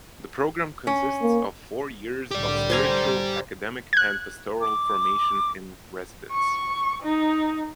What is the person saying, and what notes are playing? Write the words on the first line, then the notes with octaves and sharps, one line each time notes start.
The program consists of four years of spiritual, academic and pastoral formation in residence.
C#4
A#3
C2 A2 D3 G4 D5
C5 G#5 A#5
F#6 G#6
D6
C#6
D#4